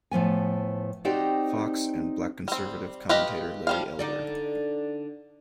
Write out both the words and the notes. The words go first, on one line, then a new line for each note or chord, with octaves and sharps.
Fox, and black conservative commentator Larry Elder.
A2 F3 B3 G#5
C4 D#4 F#4 G4 C5 D5
G3 C4
F4 G4 B4 D#5
F3 G3 F5
D3 D#4 D5